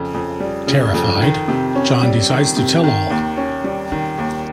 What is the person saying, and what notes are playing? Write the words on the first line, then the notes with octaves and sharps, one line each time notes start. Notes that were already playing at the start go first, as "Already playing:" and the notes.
Terrified, John decides to tell all.
Already playing: F2 C#3
F2
G3
C#3
F2
D#3
C3
C#4
G3
D#3
C3
D#3
D#2
C#4
G3
D#3
D#2